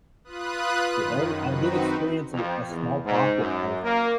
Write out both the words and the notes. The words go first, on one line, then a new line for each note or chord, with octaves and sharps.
So there w I did experience a small pocket of
F4 B4 D#6 F#6
F#2 D#3
C4 D#4 F#4 B4
F2
E2
G#2
F#2
A#3